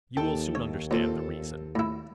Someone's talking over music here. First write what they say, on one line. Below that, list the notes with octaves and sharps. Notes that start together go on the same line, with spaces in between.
You will soon understand the reason.
D#2 A4 G5 A5
C#5
A#2 C4 F4 A4
A2 E4